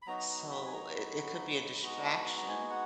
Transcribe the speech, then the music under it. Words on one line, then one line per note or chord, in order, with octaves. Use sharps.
So, it it could be a distraction,
B5
F#3 B3 D#4 F#4 A#5
A#5
A#5
B5
G#5
A#5
B5
G#3 B3 D#4 F#4 A#5
B5
A#5
A#5
G#5
F#5